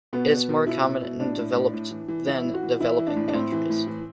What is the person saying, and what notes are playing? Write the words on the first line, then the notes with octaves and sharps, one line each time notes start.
It is more common in developed than developing countries.
B2 B3
B2
B2
B2 E4
B2
B2
A2 D4
A2
A2
A2
E3
E3
E3 E4
E3
F#4
E3
E3 E4
E3
D4
A2
D4
A2 C4
E3
A2
E3